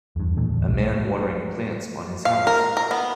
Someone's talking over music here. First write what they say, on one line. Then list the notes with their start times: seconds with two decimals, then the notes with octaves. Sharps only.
A man watering plants on his house.
0.16 E2 G2
0.37 E2 A#2 E3 A3
0.49 D1 E2
0.68 B1 G#2
2.25 F5
2.47 A#4
2.77 A#4
2.91 B3